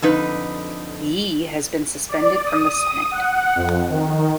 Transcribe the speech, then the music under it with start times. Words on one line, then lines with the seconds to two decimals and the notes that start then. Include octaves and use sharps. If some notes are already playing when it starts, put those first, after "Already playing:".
Yee has been suspended from the senate.
0.02 F2 D3 D#4 B4
2.09 D5
2.46 D#6
3.11 F#5
3.55 F2
3.90 D#3